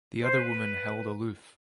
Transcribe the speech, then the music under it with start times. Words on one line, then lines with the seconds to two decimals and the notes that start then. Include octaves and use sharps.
The other woman held aloof.
0.21 C5
0.35 B4